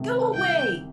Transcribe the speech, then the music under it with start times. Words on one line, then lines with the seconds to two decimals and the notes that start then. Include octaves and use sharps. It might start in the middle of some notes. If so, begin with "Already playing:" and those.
Go away.
Already playing: C3 D#3 A3 D#4
0.34 C2 G5